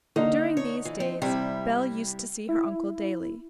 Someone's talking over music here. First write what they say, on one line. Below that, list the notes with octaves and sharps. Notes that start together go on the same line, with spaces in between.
During these days, Bell used to see her uncle daily.
D3 A#3 D#4
C#5
E3
C4
C3 G3 E4
E4